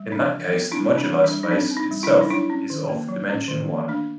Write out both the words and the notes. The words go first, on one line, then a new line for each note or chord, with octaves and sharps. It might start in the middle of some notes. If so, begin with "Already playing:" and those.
In that case the moduli space itself is of dimension one.
Already playing: G3
D4
E3
B3
C4 D4 E4
C4
D4
G3
D4
G3
D#4
C4 D4
C4
D#4
G3
D4 E4
G3
D#4
F#3 D4 E4
C#4
D#3
A#3
F#3
C#4
D#3
A#3
A3 D4